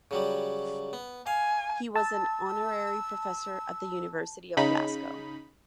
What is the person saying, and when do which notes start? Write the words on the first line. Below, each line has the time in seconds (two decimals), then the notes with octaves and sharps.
He was an honorary professor at the University of Glasgow.
0.11 C#3 F#3 G3
0.93 B3
1.27 F5 G#5
1.96 A5 E6
4.57 C#3 D#4 B5